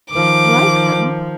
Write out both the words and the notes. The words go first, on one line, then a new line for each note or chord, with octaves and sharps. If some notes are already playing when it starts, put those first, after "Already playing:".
"Like them!"
D#3 F3 D6